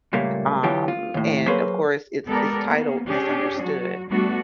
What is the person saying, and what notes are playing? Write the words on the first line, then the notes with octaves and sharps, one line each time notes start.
um, and, of course, it's it's titled Misunderstood.
C#2 A#2 G3 A3 A#3
D3 E3 F#3 F4 G4
F4
D#2 A2
F#3 A#3 G#4 B4 C5
G#3 B3 G4 A4 A#4 D5
A#3 B3
C#4 D4 G4 G#4
F#3 F#4
G3 A3 B3 D4 F#4